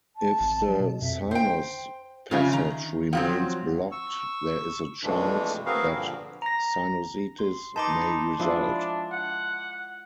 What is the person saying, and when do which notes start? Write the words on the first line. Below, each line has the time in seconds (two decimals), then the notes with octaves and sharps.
If the sinus passage remains blocked, there is a chance that sinusitis may result.
0.16 A5
0.40 G#1
0.68 F#3
0.80 B2
1.02 F2 E5
1.31 C5 G5
2.31 F2 C#3 C#4 F4 E5 F5
2.53 D#3 A#5
3.13 F3 F#3 C4 F#5
3.92 C#6 E6
5.03 F2 B2 E3 G#3 A3 D4
5.66 C4 F#4 G#4 A#4 B4 F5
5.95 G2 A#2 D3 F3
6.42 A#5 A#6
7.39 C6
7.76 D#4 B4 A5 C6 D6
8.39 F3 G#3 D4 E4
9.12 F#5